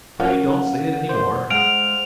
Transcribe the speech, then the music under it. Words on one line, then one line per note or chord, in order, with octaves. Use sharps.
"Pray don't say it any more."
C#4 A#4 F5 F#5
E2 C5
G#3 F5 F#5 F6 D7 F7